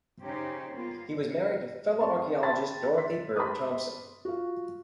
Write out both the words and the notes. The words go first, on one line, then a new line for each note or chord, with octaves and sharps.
He was married to fellow archaeologist Dorothy Burr Thompson.
C#3 C#4 D#4 G4 C5
A#3 B3 F4
C4 A5 C6 C#6
G5 A5 B5 C6 A6
C6 B6
B5 C6 D6 D#6
F4 F#4